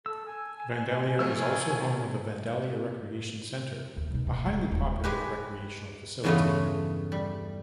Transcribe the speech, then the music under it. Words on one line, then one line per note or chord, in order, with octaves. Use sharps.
Vandalia also is home of the Vandalia Recreation Center, a highly popular recreational facility.
A4 E6
G#5
F3 F#3 A3 G#5 E6 F6
D#2
B1 B2
B2
G#3 A3
D#1
G#3 G4 B4
E2 G2 C#3 A3 F4 D#5
G3